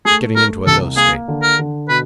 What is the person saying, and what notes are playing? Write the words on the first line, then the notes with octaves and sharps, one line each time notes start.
You're getting into a low state.
A3 G#4
A3 A#4
C2 A4
A#3 G#4
D3
A#4
D3
B2 B4